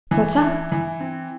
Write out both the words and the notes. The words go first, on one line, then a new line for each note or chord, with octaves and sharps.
'What's up?
E3
E4
E3
C4